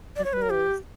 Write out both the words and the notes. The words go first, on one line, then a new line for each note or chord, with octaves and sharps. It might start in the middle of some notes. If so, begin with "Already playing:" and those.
It is.
D5
C#5
B4
A#4
G4